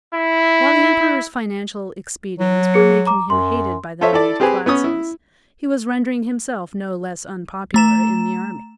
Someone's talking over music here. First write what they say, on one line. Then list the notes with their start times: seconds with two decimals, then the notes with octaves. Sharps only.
While the emperor's financial expedients were making him hated by the moneyed classes, he was rendering himself no less unpopular in the army.
0.14 E4
2.40 F#3
2.74 G#4 C#7
3.07 A#5 D6
3.30 F#2 C6
4.01 F4 A4 C5 C#5 E5
4.13 E4 A4 D5
4.40 C4 G4 G#4 B4 G#5
4.66 B3 C#4 C#5 D#6
4.84 E4
7.74 A3 A#5 E7